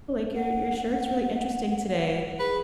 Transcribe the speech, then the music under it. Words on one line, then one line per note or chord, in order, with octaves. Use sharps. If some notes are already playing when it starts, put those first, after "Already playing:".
like your your shirt's really interesting today."
F#5
G#4 B4